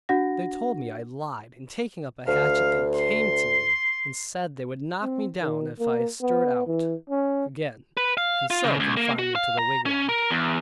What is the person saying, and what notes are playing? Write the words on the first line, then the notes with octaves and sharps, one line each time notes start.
They told me I lied, and taking up a hatchet, they came to me, and said they would knock me down if I stirred out again, and so confined me to the wigwam.
D4 F#4 F#5 A#6
D2 F5
C6
C4
D#3
A#3
B3
E3
C#4
B4
F5
F4
C#3
C#2
A#3
F#4
F5
A#5
C#4
A#4
E2